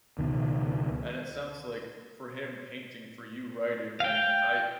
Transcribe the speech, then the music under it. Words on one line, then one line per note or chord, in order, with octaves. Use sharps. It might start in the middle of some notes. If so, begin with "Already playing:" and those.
And it sounds, like, for him painting, for you writing, and I, uh,
C#2 B2 D#3
F5 G5